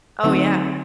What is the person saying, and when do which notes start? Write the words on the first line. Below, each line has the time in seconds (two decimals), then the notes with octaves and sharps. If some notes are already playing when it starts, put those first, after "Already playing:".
Oh, yeah.
0.23 D3 F#3 A3 C4 D#4